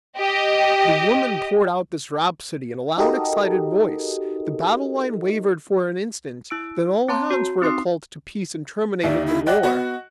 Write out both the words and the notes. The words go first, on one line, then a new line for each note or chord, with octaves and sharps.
The woman poured out this rhapsody in a loud excited voice, the battle-line wavered for an instant, then all hands were recalled to peace and terminated the war.
G4 D#5
D#4 F#4 G4 A4 A#4 D#5
E4 E6 D7
C4 C#5 A5 A#5 C6
F#4
C4 D#4 C6 D#6 C7
D#2 D#4 D5 E5
E4
D5 D#5 F#5 G5 F#6
B3 F#4